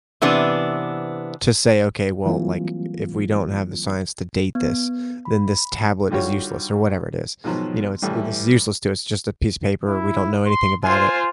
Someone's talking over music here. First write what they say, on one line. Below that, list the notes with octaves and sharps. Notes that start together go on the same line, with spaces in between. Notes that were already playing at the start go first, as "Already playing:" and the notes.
to say, "Okay, well, like, if we don't have the science to date this, then this tablet is useless," or whatever it is. You know, it's, i this is useless to us, just a piece of paper, we don't know anything about it.
C3 E3 B3 D4
E3 F#3 G3 A#3 C4 F4
B3
B5
D3 D#3 G3 F4 F#4 C#5
G#2 B2 D#3 F3 F#3
A2 E3 G3
E4
C6
F4 C5 G#5